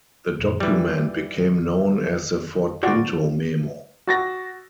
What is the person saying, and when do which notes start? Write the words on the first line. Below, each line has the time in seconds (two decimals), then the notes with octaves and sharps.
The document became known as the "Ford Pinto Memo".
0.39 D#1 F#2 A#2
0.60 E3 F3 G3
2.83 F4 F#4 D5
4.07 F#4 A6 A#6